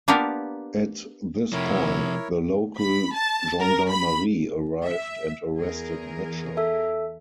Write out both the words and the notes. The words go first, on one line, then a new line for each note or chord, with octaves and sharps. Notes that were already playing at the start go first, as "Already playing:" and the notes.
At this point, the local gendarmerie arrived and arrested Mitchell.
A#3 B3 D4 F4 G4 A#4
C3 F3 E4 A#4 C#5
B5
A5
A#4
B5
E5
E2 G#4 A#4
A4 E5